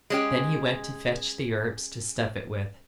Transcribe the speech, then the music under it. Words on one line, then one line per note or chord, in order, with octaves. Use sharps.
Then he went to fetch the herbs to stuff it with.
G#3 C#4 G4